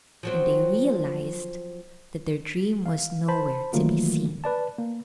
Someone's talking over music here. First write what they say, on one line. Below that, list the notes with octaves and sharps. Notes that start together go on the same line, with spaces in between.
And they realized that their dream was nowhere to be seen.
F3 F#3 C4
F5
C5 A5 B5
D#3 E3 F#3 A3 A#3 F4
B4 D5 A5
A#3